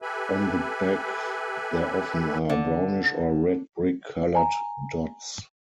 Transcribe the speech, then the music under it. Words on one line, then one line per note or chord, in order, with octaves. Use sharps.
On the back there often are brownish or red-brick coloured dots.
G4 A4 B4 E5 G#5 B5
D3
G#5 A#5